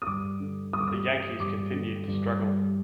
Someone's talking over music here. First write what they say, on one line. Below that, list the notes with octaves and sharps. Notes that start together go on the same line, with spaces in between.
The Yankees continued to struggle.
D#6
G2 D6
D3
G2 D#6
D6
D#6
G3
G2 D6
D3
G2
G3